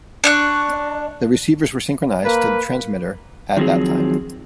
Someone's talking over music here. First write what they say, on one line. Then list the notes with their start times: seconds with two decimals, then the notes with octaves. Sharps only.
The receivers were synchronized to the transmitter at that time.
0.24 D4 C#6 F#6
2.25 A#3 B4
3.57 D#3 F3 F#3 C4 G#4